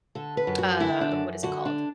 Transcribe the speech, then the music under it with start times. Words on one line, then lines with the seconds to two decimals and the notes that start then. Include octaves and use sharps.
a, what is it called?
0.15 D3 A4
0.37 B4
0.47 F#2
0.58 F#4
0.80 D3 E4
1.01 D4
1.11 F#2
1.43 D3 F#4
1.65 D4